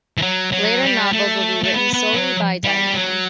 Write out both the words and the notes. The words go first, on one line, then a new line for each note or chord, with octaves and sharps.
Later novels will be written solely by Dianna.
E3
F#3
F#3
G3
A3
A3
B3
B3
F#3
G3
F#3